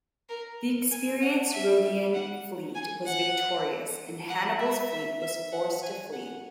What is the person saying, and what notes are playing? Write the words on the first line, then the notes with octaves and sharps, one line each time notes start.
The experienced Rhodian fleet was victorious, and Hannibal's fleet was forced to flee.
A#4
G#5
F#5
E5
F#5
G#5
F#5
F#5
E5
E5
E5
F#5
G#5
F#5